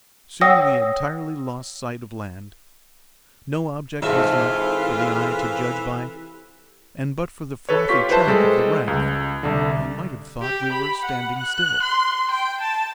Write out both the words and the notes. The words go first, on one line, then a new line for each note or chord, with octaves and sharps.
Soon we entirely lost sight of land; no object was left for the eye to judge by, and but for the frothy track of the raft, I might have thought we were standing still.
C#5 F#5 G5 D#6 E6 A#6
G#2 C3 E3 F4 A4 E5
A4 B4 C#5
F4 G4 C#6 B6
E4 B4 C5 A5
G3 G#3 A4
C#2
C2 D3
G4
B5
F#5
F#6
C6
G5
A5